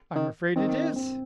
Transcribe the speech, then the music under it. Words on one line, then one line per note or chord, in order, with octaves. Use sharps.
"I'm afraid it is."
D#3
D#3 C4
C4